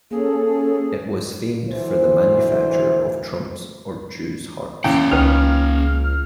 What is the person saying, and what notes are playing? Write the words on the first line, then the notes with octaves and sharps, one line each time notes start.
It was famed for the manufacture of trumps or Jew's harps.
A#3 C#4 G#4 A4
D2 E3 C5
E2 C#3 A#3 F#5 G5
C#2 D#3 B4 F6